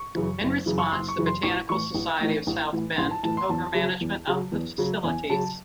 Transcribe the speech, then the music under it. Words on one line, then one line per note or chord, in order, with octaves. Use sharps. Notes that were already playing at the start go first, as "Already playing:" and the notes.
In response, the Botanical Society of South Bend took over management of the facilities.
Already playing: C#6
F#2 C#3 E3
F#1
F#2 C#3 E3
C#6
F#1 C6
C#6
F#2 C#3 E3
C6
A1 C#6
A2 E3 C#6
A1
A2 E3
A1
A2 E3
A1 C6
A5
A2 E3 A5
C6
E2 A5
C#3 F#3
E2
C#3 F#3
E2
C#3 F#3
E2 G#5
C#3 F#3 A5